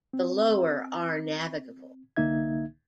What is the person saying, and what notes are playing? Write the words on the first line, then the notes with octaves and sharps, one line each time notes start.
The lower are navigable.
C4
C2 D3 A#3 D#4 E5 G#6